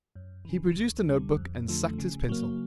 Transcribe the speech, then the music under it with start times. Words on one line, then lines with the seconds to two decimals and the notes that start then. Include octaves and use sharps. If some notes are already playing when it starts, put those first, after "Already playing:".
He produced a notebook and sucked his pencil.
0.15 F#2
0.45 C#3 E3
0.77 D2
1.06 D3 G3
1.37 F2
1.68 D3 F3 A3
1.98 C#3
2.29 F#3 A#3